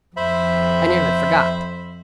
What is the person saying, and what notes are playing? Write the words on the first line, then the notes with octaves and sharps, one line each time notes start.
I nearly forgot.
F2 C5 E5 B5